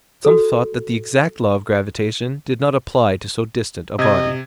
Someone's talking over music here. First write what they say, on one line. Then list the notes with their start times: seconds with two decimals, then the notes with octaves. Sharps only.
Some thought that the exact law of gravitation did not apply to so distant a body.
0.25 F#4 A4
3.99 C3 D#5 G#6